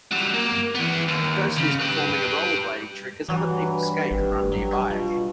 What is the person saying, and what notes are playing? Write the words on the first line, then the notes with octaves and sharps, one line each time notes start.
A person is performing a rollerblading trick as other people skate and run nearby.
F#3 G3
A#3
E2 B3
D#2
C#3
G4 B4
G2 E3 F#3 F#4 B5
B4
G#1 G4
F#3
B2 F4